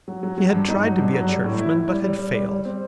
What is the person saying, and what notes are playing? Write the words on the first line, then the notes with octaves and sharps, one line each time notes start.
He had tried to be a churchman but had failed.
F#3
F#3
F#3
G2
D#4
F#3
G2
F#3
G3
A2
E4
E4
G3
G3
G3
G3
G3
C4